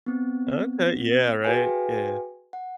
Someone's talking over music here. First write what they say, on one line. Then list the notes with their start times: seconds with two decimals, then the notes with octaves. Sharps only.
Okay, yeah, right. Yeah.
0.06 B3 C4
1.44 F#4 G#4 B4 F5 G5 G#5
2.53 F#5